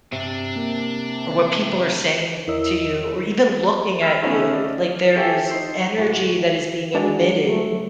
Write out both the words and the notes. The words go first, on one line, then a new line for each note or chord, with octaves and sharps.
Or what people are saying to you or even looking at you, like, there is energy that is being emitted.
G2 C3 D4
A#3 A#4
E2 E4 A#4 C#5 D#5 E6
D#5 B5 E6 F6
D#3 F3 A3 B3 C#4
C#4 D5 D#5
G4 A4 C#5 E5 G5 G#5
D#4 C5 C7
D1 F#4
G#3 D4 F#4 G#4
F#3 G3 A3